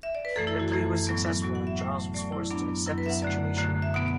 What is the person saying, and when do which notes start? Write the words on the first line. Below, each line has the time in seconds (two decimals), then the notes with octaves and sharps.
Their plea was successful and Charles was forced to accept the situation.
0.03 E5
0.15 D5
0.25 B4
0.36 F#2 E3 A3 A4
0.47 E4
0.60 F#4
0.72 F#2 E3 A3
1.07 A2 F#3 B3
1.42 A2 F#3 B3 F#4
1.55 F#5
1.67 E5
1.78 A2 F#3 A3
2.14 A2 F#3 A3 D5
2.32 E4
2.50 F#2 F#3 B3 D4
2.86 F#2 F#3 B3 E4
2.98 B4
3.06 E5
3.10 F#5
3.22 F#2 D3 A3 D5
3.57 F#2 D3 A3
3.82 E5
3.94 B2 B3 F#5